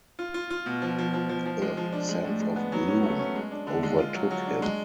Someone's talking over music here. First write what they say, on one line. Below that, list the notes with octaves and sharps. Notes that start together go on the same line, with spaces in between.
A sense of gloom overtook him.
F4
F4
F4
B2
F3
F3
F3
F3
F3
G#3
F3
D4
G#3
A2
G#3
B3
F#3
C#4
A3
C#4
G#3
D4
D3
G#3
F4
F#3
F#3
D4
G#3